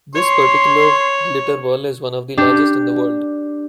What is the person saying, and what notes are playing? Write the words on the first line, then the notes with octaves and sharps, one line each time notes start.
This particular glitter ball is one of the largest in the world.
C#5 C6
D4 G4